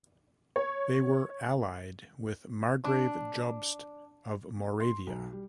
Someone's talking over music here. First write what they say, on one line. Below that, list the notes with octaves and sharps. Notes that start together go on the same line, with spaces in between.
They were allied with Margrave Jobst of Moravia.
C#5
D4
C6
B1
G3